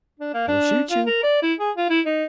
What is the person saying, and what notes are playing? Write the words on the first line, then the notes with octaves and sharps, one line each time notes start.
"He'll shoot you."
D4
A#3
D4
F4
A#4
D5
E4
G#4
F4
E4
D#4